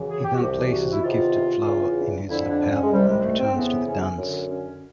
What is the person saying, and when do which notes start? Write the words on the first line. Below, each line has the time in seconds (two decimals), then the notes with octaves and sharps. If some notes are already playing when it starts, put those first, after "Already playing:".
He then places a gifted flower in his lapel and returns to the dance.
Already playing: F#2 C#3 E3
0.09 G#4
0.24 G4
0.35 F#4
0.40 C2 C3 E3 G4
0.71 F#4
0.92 E4
1.03 E2 C3 D#3 F4
1.66 E2 C#3 E3
2.29 F2 D3 E4
2.50 D4
2.71 C#4
2.83 G#3
2.92 C2 C3 D#3 G3
3.07 G#3
3.23 A3
3.39 C4
3.54 F2 C#3 E3 B3
3.86 C#4
4.17 F#2
4.22 D3
4.49 C#4